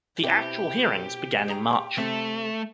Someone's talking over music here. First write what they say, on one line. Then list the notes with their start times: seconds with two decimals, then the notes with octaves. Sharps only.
The actual hearings began in March.
0.23 B2 C4 E4 G4
1.48 G#4 A#5
1.98 C3 A3 C4